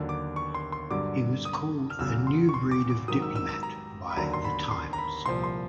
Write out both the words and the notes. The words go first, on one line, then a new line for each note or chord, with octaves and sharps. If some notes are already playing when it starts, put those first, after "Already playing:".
He was called "a new breed of diplomat" by "The Times".
Already playing: D#2 D3 F#3
D6
C#6
C6
C6
G2 D3 F#3 D6
D#6
F6
E2 C#3 F#3 E6
C6
C#6
C6
D6
D6
G#2 D#3 F#3 D#6
E6
E6
E6
A#5
B5
D#2 D3 F#3 A#5
C6
B5
C6
A#5
B5
C2 A#2 F3 C6
C6